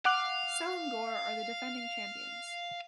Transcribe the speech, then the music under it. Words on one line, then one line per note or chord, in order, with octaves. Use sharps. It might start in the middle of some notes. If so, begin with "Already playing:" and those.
Selangor are the defending champions.
F5 F#5 D6 F#6